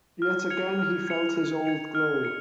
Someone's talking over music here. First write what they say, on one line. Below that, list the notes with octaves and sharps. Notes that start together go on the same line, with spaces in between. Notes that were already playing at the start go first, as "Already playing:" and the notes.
Yet again he felt his old glow.
F6
G#6 C#7 F7
F6
G#6 C#7 F7
F6
G#6 C#7 F7
F6
G#6 C#7